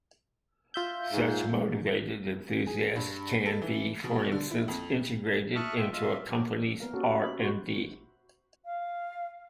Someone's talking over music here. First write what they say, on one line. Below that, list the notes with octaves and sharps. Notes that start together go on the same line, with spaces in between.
Such motivated enthusiasts, can be for instance integrated into a company's R and D.
F4 E5 G6
G#2
G#4
G2
A4
E3
B2
D3
E4
F2
E5 A5 C#6 D#6 F6 F#6
F#2 B3 F4 E5 G5
E2 F4 D#5 E5 D#6
F#3 G3 D4 F#4 G4
B3 A#4 F5
A#3 C#4 F#4 G4 A4
E5 A#5 B5
F#4 C5
F5